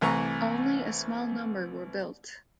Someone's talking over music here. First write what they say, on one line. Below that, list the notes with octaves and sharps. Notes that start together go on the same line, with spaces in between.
Only a small number were built.
C2 E3 A3 A#5 C#6